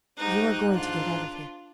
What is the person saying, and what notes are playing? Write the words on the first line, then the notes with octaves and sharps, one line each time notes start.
"You are going to get out of here."
G#2 D#4 G4 F#6
D4 F4